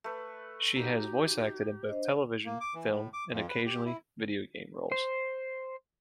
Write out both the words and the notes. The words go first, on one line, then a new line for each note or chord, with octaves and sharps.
She has voice acted in both television, film and occasionally video game roles.
A3 B4
D#4 F#4 G4 A#5
D4 C5 D#5
A#3
D6
E3
A2
D6
F2
B4
G4
E4
C5